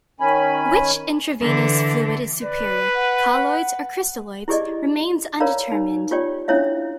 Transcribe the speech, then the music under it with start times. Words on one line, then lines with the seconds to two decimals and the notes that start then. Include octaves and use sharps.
Which intravenous fluid is superior, colloids or crystalloids, remains undetermined.
0.20 D#3 C#4 G#5 B5
1.42 D3 E3
2.42 B4 D5
2.94 F#5
4.48 E4 G4 G#4 D5 D#5
5.40 A#4 C#5 D5 F5 A#5 B5
5.72 D#4
6.11 F4 G4 C#5 D5 G5
6.48 C#4 D4 E4 C#5 E5 F5